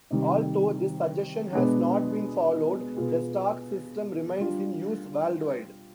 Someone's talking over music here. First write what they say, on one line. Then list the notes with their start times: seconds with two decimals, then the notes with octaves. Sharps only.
Although this suggestion has not been followed, the Stock system remains in use worldwide.
0.11 C3 D#3 G3
1.53 B2 G#3 B3 D4
2.97 B2 B3 F4 G#4
4.38 G3 D4 F4